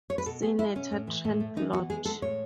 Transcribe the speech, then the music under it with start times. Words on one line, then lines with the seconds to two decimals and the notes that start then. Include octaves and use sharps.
Senator Trent Lott.
0.10 C#5
0.18 B4
0.26 B2 A4
0.42 B3 G#4
0.58 G#3 E4
0.75 B2 C#4
0.92 A2
1.07 E3
1.25 A2
1.40 A3
1.56 E3 D#4
1.72 B3 F#4
1.90 G#3 G#4
2.05 G#3 A4
2.22 A2 C#5